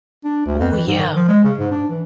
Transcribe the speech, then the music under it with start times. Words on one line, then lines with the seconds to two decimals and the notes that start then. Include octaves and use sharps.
Oh, yeah.
0.24 D4
0.46 D2
0.59 F2
0.72 E3
0.87 G#2
0.98 D#3
1.15 F3
1.28 G#3
1.44 C#3
1.58 G#2
1.71 D4
1.90 E3